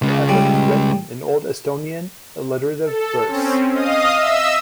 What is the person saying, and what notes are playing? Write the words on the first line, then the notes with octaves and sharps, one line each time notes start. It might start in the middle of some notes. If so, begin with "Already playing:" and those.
The epic is written in old Estonian alliterative verse.
C#3 G#3
G3
A4
C4 C#4
D#5 F5 D#6
D#5 E5 E6